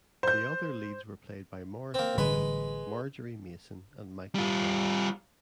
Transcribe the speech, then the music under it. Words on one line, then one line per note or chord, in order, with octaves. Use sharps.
The other leads were played by Maurice Denham, Margery Mason and Michael Bryant.
C5 G6
A#3 C4
A1 D3 G3 G#3 B4 B5
G3 F4